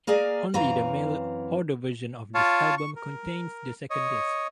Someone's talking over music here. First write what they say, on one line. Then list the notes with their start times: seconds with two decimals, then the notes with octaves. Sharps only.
Only the mail-order version of this album contains the second disc.
0.07 A#3 G#4 A#4 D5 G#5
0.54 F#2 E3 C4 F5 A#5
2.35 F4 C#5 F5 A5
2.78 C#6
2.96 A#4
3.90 C#5 D#5